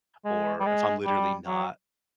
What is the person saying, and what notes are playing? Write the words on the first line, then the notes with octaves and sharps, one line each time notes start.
or if I'm literally not
G#3
G3
G#3
G3
F#3